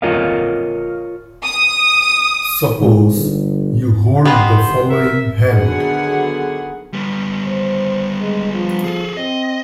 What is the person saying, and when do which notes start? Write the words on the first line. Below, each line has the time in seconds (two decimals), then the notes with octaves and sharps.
Suppose you hold the following hand.
0.02 F4 A#4 C#5 D#5 F5
1.44 D#6
2.80 G#2
3.17 G1
4.25 B3 G4 C5 D#5 F5
4.90 A#4 E5
5.48 D3 D#3 F#3 B3 G#4 F#5
6.93 G3 B3
7.47 C5
8.20 G#3
8.54 F3
8.84 G#4 A4
9.17 C4 D#5